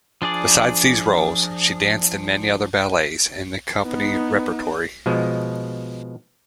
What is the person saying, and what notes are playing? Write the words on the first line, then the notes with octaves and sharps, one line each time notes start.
Besides these roles, she danced in many other ballets in the company repertory.
F3 D4 G#4 D5
B3 D#4
B2 F3 G#3